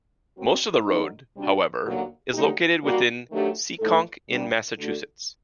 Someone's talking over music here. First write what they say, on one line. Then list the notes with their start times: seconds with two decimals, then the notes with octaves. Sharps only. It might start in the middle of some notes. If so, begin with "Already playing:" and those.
Most of the road, however, is located within Seekonk in Massachusetts.
0.37 F#3 C4 F#4 A#4
0.86 D2 D3 F#3 A#3 D#4
1.35 C3 G3 D4 F#4
1.85 D#2 D3 F#3 A#3 F#4
2.33 D3 F#3 A3 D#4 G4
2.82 D#3 G3 A#3 F#4
3.31 D#3 F#3 A3 D4 G4
3.79 A2 A3 D#4 A4
4.28 A#2 G3 D4
4.78 D3 A3 D4 F#4 A4